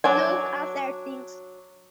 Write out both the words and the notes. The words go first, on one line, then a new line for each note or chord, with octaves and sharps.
Look after things.
F#3 D4 G#5